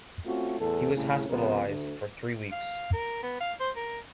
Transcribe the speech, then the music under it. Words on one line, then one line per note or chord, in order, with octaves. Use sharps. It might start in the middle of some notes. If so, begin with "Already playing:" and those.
He was hospitalized for three weeks.
A3 C4 C#4 F4 F#4
E2 A2 A4
C2 A2 C#3
C#2 C3 F3 B3 A#4
D2
F5
A#4
B3
F5
C5
A#4